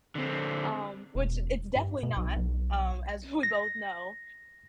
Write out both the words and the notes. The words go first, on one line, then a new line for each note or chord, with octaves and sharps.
um, which it's definitely not, um, as we both know,
D3 C4
E1
G2
B2
B1
B1
A#6